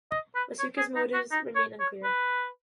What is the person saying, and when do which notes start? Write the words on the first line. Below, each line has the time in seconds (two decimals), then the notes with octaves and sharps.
Matuska's motives remain unclear.
0.11 D#5
0.35 B4
0.59 C#5
0.77 G#4
0.96 D#4
1.14 F#4
1.31 D#4
1.55 C#5
1.80 C#5
2.04 B4